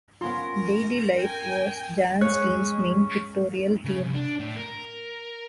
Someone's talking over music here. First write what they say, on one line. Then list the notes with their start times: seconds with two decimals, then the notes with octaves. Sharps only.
Daily life was Jan Steen's main pictorial theme.
0.21 B3 C#4 F4 A#4 C6
1.18 G5 G#5
2.21 G#3 C#4 C#5 F5 F#6
3.85 C#3
4.00 C2
4.14 D4
4.39 A2
4.56 A#4